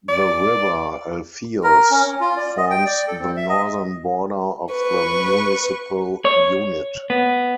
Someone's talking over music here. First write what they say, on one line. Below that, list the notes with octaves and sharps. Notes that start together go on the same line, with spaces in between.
The river Alfeios forms the northern border of the municipal unit.
D5
A#4
C#4
C#4
F4
D5
D#5
G5
D5
A4
C4
E5
D#5
B4 C#6
C#5
B3